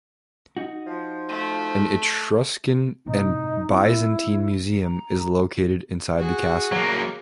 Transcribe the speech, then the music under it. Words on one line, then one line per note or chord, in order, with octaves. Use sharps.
An Etruscan and Byzantine museum is located inside the castle.
D#4 F#4
F3
A3
G1 A2 C3 D#4
C4 E4
A#5
F#4 G#4
F#3 A#3